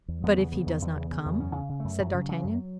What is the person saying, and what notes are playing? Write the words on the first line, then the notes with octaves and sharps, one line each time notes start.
"But if he does not come?" said d'Artagnan.
E2
E2 B3
C#3
C#3
E2
E2
C#3
C#3
E2
F#2 C#4
C#3
C#3
F#2 A3
F#2 F#3
C#3
C#3
F#2